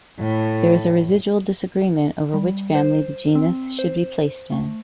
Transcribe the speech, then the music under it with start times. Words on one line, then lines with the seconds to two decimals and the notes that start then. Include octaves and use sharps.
There is residual disagreement over which family the genus should be placed in.
0.20 A2 A3
2.34 G3
2.75 C5
3.35 C4
3.79 C5
4.52 A3